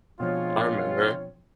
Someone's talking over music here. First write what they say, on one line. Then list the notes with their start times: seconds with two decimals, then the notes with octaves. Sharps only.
I remember.
0.20 B2 F3 G#3 C4 D4 F4 C#5